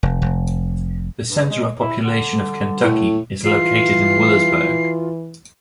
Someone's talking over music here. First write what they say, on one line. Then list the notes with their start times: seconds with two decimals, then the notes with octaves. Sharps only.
The center of population of Kentucky is located in Willisburg.
0.03 F1
0.22 F1
1.28 G2
1.50 G#3
1.81 E4
2.03 D3
2.83 A2
3.44 E3 F4 C7